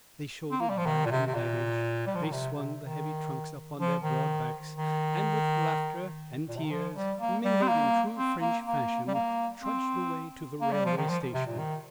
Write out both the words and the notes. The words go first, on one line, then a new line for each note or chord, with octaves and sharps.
They shouldered bag and baggage; they swung the heavy trunks up on their broad backs, and with laughter and tears mingled in true French fashion, trudged away to the railway station.
C4
A#3
G3
F3
D#3
A#2
C3
C3
A#2
G3
F3
D#3
C3
C3
D#3
F3
D#3
D#3
A#2
C3
D#3
F3
G3
A#3
G3
C4
A#3
C4
A#3
A#3
G3
A#3
C4
A#3
G3
F3
D#3
F3
C3
A#2
D#3